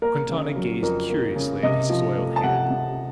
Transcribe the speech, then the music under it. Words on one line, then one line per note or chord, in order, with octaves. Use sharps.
Quintana gazed curiously at his soiled hand.
A#3 A#4
C#3
F#3
F2 A#4
A#3
C#3
C3 D#5
F3
A3
A5
C3 F#5
C3